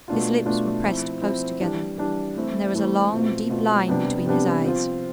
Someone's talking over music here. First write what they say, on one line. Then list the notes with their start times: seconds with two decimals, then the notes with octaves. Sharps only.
His lips were pressed close together, and there was a long deep line between his eyes.
0.08 B2 A3 D4 F4
0.46 B2 A3 D4 F4
0.84 F3 C4 E4
1.22 F3 C4 E4
1.60 E3 G3 D4
1.98 E3 G3 D4
2.36 E3 A3 C4 E4
2.74 E3 A3 C4 E4
3.12 B2 A3 C4 F4
3.49 B2 A3 C4 F4
3.88 C3 G3 B3 D4
4.26 C3 G3 B3 D4
4.64 F3 C4 F4